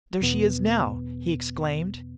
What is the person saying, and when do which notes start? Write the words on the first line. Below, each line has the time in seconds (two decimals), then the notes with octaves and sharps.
"There she is now!" he exclaimed.
0.21 E2 B2 B3